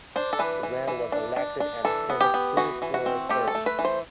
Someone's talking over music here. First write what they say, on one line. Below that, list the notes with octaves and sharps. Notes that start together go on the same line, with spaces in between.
Grant was elected and served two four-year terms.
D4 C5
A4
E3 B4
E3
E3
D4
D4
D4
E3 A4
B3
G4
B3
E3 F#4
E3
F#4
C4
A3 G4
A4
A3
B4
E3
C5